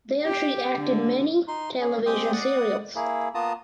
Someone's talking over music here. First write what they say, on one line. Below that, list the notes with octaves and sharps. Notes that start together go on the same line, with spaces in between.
Then she acted many television serials.
G4
D3
D#4 C6
C#4 G#4
G#3 C4 G4 G5 D#6
D5 F#5 D#6
A#3 E4 G#4
A#3 B3 F4 A5 A#5 D#6